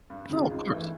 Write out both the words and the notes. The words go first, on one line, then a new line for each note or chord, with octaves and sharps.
No, of course.
G2
D#3 G#3 C#4 F4
G#1
G2 E3 A3